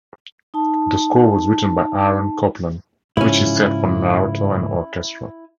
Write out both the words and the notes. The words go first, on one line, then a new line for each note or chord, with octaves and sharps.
The score was written by Aaron Copland, which he set for narrator and orchestra.
D#4 A5
G#2 C#3 F3 C#4 E4